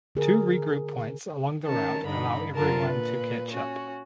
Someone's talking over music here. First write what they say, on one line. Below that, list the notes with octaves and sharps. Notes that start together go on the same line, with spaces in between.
Two regroup points along the route allow everyone to catch up.
D3 G#4 A#4
D#3 C#4 A#4 A5
G2 D3 D#4 B5
F#2 D3 B3 F4 A#4 A5
A#2 B4
C#4 F#4